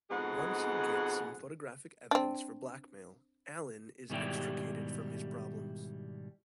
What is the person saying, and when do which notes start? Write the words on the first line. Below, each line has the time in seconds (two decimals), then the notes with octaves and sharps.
Once he gets some photographic evidence for blackmail, Alan is extricated from his problems.
0.10 F2 G#2 B2 G#3 G#4 F#5
2.11 C4 D4
4.10 G#2 B2 D#3 G3 E4 G4